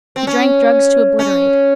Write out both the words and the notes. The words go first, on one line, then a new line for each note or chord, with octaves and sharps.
He drank drugs to obliterate.
C4
C#4
C#4